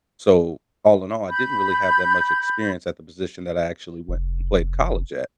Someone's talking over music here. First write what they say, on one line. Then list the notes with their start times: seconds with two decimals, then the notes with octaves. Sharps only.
so, all in all, I didn't really have that much experience at the position that I actually went and played college at.
1.29 B5 G6
4.08 F1